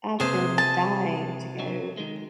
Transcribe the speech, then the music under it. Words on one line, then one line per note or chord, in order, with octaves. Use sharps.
I've been dying to go.
C#2 C3 A#3 G#4 B4 C5
G#5 A5
F#3
D#3 G#3